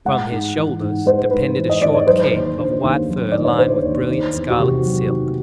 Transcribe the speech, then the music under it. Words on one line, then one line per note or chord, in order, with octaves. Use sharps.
From his shoulders depended a short cape of white fur lined with brilliant scarlet silk.
G#3 F#5
G#2
E3
G#2
G#3 C5
G#2 B4
E3
D#5
G#2 D5
C#5
F#3 C5
D#2
D3
D#2
F#3
D#2 D5
C#5
D3 C5
D#2
D#3
E2
F#4
C3 G4
F#3
D#3